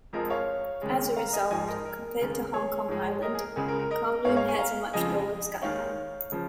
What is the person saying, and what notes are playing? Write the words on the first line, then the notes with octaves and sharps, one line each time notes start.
As a result, compared to Hong Kong Island, Kowloon has a much lower skyline.
F2 F3 G#3 A#4 D#5
C#5 F5
D#2 C#3 G#3
F5 A#5
A#5
D#5 G#5
G#2 F3 G#3 D#5 G#5
A#4 D#5
A#4
D#2 C#3 G#3 A#4
G#4 C#5
G#2 F3 G#3
A#4 D#5
G#4
A#4
C#2 C#3 G#3 G#4
A#4
A#4
A#4 D#5
G#2 G#3 C#5 F5
C#5 F5
G#5 C#6
F5 A#5
F2 C#3 F3 G#3 D#5 G#5
D#2 D#3 G#3 C#5 F5
C#3 F3